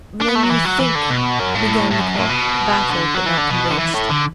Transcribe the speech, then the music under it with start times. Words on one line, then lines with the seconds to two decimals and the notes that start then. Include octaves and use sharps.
"Then you think--" began Lecoq, baffled but not convinced.
0.21 D4
0.28 B3
0.35 A3
0.43 F#3
0.50 E3
0.65 F#3
0.80 E3
0.95 D3
1.10 B2
1.39 F#2
1.55 A2
1.91 A2
2.00 F#2
2.15 A2
2.30 B2
2.89 D3
3.15 F#3
3.26 E3
3.37 D3
3.49 B2
3.70 D3
3.78 E3
3.94 A2
4.09 D3